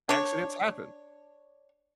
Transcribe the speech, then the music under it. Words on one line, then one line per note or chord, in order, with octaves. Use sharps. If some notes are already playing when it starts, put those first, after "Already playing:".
Accidents happen.
D4 C#5